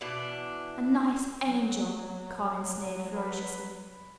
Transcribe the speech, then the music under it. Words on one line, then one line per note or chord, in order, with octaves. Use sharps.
"A nice angel!" Colin sneered ferociously.
B2 E3 D4
F#3
B4